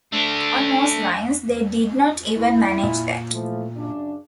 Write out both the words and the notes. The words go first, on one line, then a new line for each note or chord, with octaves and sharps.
On most lines, they did not even manage that.
A3 D4
E4
A#2
E3 F3 A3
F#2 C#3 D4